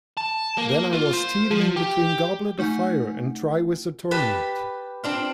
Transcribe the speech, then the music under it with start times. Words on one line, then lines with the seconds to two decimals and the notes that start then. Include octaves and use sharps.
Then I was teetering between "Goblet of Fire" and "Triwizard Tournament".
0.17 A5
0.58 A#3
0.93 F4
1.13 C5
1.51 F3
1.76 G4
2.59 A3 D#4 F#5 G#5
4.11 G4 B4 A5
5.04 C4 D4 F4